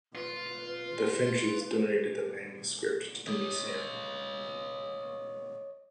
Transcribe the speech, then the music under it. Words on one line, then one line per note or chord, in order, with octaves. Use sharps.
The Finches donated the manuscript to the Museum.
F4 B4
C#5 D#5